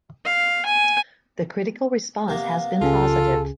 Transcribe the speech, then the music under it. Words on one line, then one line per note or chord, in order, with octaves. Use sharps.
The critical response has been positive.
F5
G#5
C3 A#3 B3
C#2 C#3 F4 G#4 A4